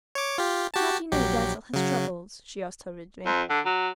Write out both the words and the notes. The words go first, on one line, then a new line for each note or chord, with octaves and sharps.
"How do you know Basil has troubles?" she asked hurriedly.
C#5 D6
F4 G4
F#4 G4 A5
A#1 F#3 G4
C#3 F#3
F2
D3
F#3